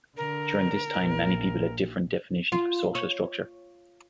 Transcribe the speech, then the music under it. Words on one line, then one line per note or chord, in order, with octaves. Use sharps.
During this time, many people had different definitions for social structure.
D3 A#4
A#1
F4
C#5